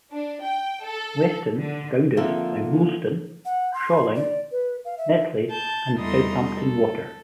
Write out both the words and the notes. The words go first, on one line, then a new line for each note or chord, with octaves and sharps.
Weston is bounded by Woolston, Sholing, Netley and Southampton Water.
D4
G5
A4
D3
D3 F3 A#3 C4 A4 E5
F#5
C6
D5
B4
F5
E5
A5 G6
E2 G3 A3 D#5 A#5 C6
A4